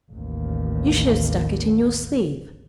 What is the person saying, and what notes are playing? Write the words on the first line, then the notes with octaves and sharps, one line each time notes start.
You should have stuck it in your sleeve.'
A1 D#2